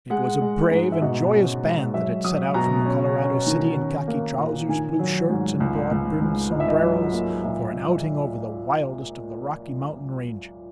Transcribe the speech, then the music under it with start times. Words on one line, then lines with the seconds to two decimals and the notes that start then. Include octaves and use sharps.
It was a brave and joyous band that had set out from the Colorado city in khaki trousers, blue shirts and broad-brimmed sombreros for an outing over the wildest of the Rocky Mountain ranges.
0.10 G#3 F#5
0.41 G#3
0.71 G#2
0.92 E5
1.01 B2 D#5
1.32 C#4
1.63 G#3
1.94 F#3 E5
2.25 F#3 D#6
2.54 B2 A#5
2.85 C#4
3.16 C#4
3.47 D#3
3.77 C#4
4.08 A#3
4.38 A#2
4.69 D#3 G#5
4.99 F#3
5.29 G#2
5.60 C#2
5.91 C#2
6.21 C#2
6.52 G#2 D#5
6.60 E5
6.68 D#5
6.82 F#3
7.13 A#3
7.44 A#2 E5